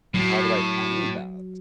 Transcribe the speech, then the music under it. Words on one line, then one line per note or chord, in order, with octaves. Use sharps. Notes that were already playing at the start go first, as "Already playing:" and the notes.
"How do I find that?"
A2 F#3